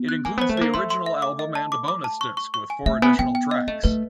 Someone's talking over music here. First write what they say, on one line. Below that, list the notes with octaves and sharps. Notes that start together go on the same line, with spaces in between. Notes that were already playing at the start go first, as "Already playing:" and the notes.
It includes the original album and a bonus disc with four additional tracks.
Already playing: B3
F#6
A#3 G#5
B3 C5
A3
A#3 C5
A3 C6
C6
E5
D6
D#5
A5
D6
D6
A5
C#6
C#6
C#6
G#5
A3 E5
B3 G#5
B3 G5
G5
D#5
A3 D#5
A3 B4